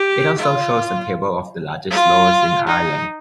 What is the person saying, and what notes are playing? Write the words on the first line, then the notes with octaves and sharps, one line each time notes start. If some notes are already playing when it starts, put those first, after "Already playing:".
It also shows a table of the largest loughs in Ireland.
Already playing: G4
F4
F4
D#4